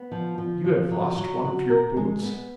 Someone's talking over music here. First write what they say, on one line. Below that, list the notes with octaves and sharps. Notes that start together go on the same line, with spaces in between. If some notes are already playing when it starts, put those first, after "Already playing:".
"You have lost one of your boots?"
Already playing: B3
F3
F3
F3
F#3
F#3
F#4
A#4
G#3
B3